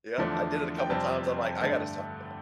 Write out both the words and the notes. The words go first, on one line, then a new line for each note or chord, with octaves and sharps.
Yep. I did it a couple times. I'm like, "I gotta stop with it."
E2 D3 F3 A3 D4
G5
F2 C3 G3 C4 A5
G2 D3 A3